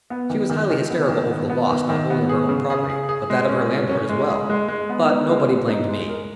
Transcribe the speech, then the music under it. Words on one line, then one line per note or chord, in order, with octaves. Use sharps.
She was highly hysterical over the loss not only of her own property but that of her landlord as well, but nobody blamed me.
B3
D#3
D#3
D#3
B3
D#3
B3
B3
D#3
D#3
B3
G#4
C#3
G#4
G#4
G#4
G#3
C#4
C#4
C#4
G#3
G#4
G#3
G#3
B3
D#4
G#3
B3
D#4
G#3
A#4